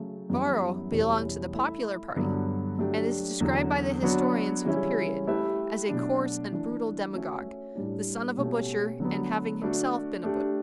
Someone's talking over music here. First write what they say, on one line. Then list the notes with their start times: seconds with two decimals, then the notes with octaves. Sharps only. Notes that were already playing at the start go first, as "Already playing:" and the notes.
Varro belonged to the popular party, and is described by the historians of the period as a coarse and brutal demagogue, the son of a butcher, and having himself been a butcher.
Already playing: C#3 F#3 A3
0.30 F#2 E3 G3 B3 E4
0.92 E2 B2 G3 C#4 E4
1.54 A3 E4 A4 E5
2.16 G2 D3 F#3 B3
2.78 F#3 A3 D4 G4
3.41 E2 D3 F#3
4.02 F#3 B3 D4 F#4 C#5
4.65 C#3 E3 G3 C#4 E4
5.27 A3 E4 G4 B4 E5
5.89 B2 F#3 A3 D4
6.51 E3 A3 D4
7.13 A3 C#4 F#4 C#5 E5
7.76 A2 G3 D4
8.38 B2 A3 C#4 G4
9.00 D3 F#3 B3
9.62 A3 D4 F#4
10.24 A3 D4 G4